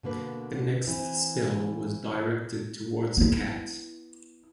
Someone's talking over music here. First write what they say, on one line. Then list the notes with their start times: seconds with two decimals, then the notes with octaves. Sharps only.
The next spell was directed towards a cat.
0.03 B2 D3 A#3 B4
0.87 E3 C4 E4
3.17 B3 E4